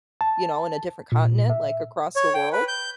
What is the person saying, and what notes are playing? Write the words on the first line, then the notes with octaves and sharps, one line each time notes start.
you know, in a different continent, like, across the world.
A5
A#2
E5
C#5
G5
B4
G6